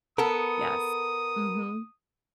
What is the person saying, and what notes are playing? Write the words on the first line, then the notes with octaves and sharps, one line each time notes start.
Yes. Mhm.
B3 A4 A#4 D#6